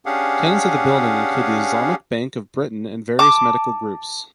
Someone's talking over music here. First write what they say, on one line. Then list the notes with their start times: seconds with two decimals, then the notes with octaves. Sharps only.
Tenants of the building include the Islamic Bank of Britain and various medical groups.
0.06 C#4 D4 G4 G#4 F5 F#5
3.19 A5 D6